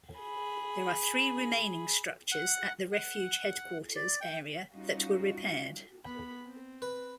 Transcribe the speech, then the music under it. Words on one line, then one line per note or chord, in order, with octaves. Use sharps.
There are three remaining structures at the refuge headquarters area that were repaired.
G#4 B5
F#5
F#5
D5
G5
G3 C#4 D#4 F4 F#4
B3 B5
C4
B4